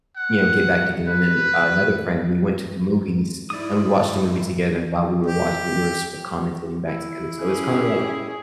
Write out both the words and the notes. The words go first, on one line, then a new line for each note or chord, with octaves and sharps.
you know, get back together, and then another friend, we went to the movies and we watched a movie together and while we were watching it, we were sort of commentating back together. So it's kinda, like,
F#5
B4
G#2 E4 D5 D#6
G4
E4
C#4 G4 G#4